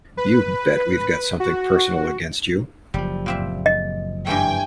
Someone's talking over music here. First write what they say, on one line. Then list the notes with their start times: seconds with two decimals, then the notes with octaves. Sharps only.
You Bet We've Got Something Personal Against You!
0.17 B4
1.40 F#4
2.94 F#1 F3 G3
3.26 A#2 C4 E5
3.66 D#5
4.27 G2 E3 A3 G5 G#5